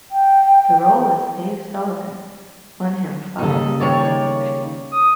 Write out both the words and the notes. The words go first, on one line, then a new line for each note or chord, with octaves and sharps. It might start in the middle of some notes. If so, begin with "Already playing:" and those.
The role as Dave Sullivan won him five Silver Logies.
G5
C#3 G3 A#3 D#4 A4
D#3 C#5 D5
D#6